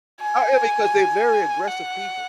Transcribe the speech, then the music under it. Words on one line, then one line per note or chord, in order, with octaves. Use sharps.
however because they're very aggressive people.
G#5
F#5